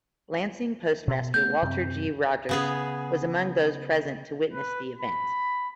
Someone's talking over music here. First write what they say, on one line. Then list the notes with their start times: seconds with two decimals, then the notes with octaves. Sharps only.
Lansing postmaster Walter G. Rogers was among those present to witness the event.
1.07 B2
1.34 A3 B3 G6
1.62 F#2 C3 C4
2.49 C#3 B3 G#4
4.53 B4
4.98 B5